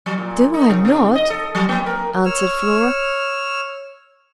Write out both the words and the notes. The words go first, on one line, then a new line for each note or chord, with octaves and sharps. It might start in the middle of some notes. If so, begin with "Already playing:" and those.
'Do I not?' answered Flora.
F#3
A#2
D#4
C3
C3
D#5
A4
F#3
A#3
A#4
C#5 E6 F6